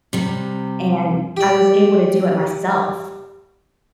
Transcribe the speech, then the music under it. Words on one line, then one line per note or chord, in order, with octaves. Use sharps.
and I was able to do it myself."
C3 G3
G4 D5